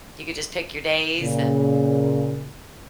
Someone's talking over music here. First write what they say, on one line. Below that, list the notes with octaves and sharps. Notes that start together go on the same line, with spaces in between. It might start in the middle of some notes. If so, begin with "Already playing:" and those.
you could just pick your days and
A#2 C#3